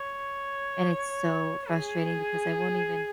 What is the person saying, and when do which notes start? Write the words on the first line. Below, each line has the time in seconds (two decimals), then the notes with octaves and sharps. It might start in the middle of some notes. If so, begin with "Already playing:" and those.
and it's so frustrating because I won't even
Already playing: C#5
1.69 G#4